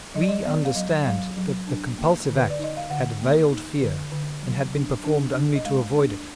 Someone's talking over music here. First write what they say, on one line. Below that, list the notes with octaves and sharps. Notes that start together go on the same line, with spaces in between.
We understand that the compulsive act had veiled fear and had been performed only to avoid it.
F#3 D#5
D5
D#5
B3 D5
F5
F#3 D#5
F#3 F5
F#3
D4
A#3
D3
B4
D5
D#4 D#5
F5
D3 F#5
A#3
D#4
D3
D3
F#3
D4
D4
D4
D#5
G#3 F5
D4